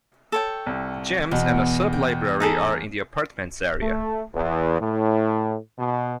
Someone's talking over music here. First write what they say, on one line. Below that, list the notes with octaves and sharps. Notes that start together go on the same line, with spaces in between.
Gyms and a sub-library are in the apartments area.
A4 C#5 G5
C2
E2 B2
G5
D#4 G#4 A4
A3
E2
A2
B2